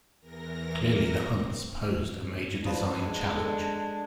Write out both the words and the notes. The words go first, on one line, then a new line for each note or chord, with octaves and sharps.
Clearly the Hunts posed a major design challenge.
E2 E3 A#4 A#6
C4
F3 D4 B4 D#5
G#3
A4